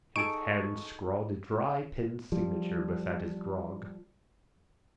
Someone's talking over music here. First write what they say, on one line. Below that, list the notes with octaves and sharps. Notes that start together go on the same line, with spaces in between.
His hand scrawled a dry pen signature beside his grog.
D#4 G#4 A4 C#6 D7
F3 G3